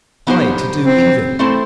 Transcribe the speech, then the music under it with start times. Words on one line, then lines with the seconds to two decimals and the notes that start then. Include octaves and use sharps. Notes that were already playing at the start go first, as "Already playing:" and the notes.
I, to do evil!
0.27 F#3 B3 D#4 G4 C5
0.83 C4
1.39 A3 C4 E4 A4 C5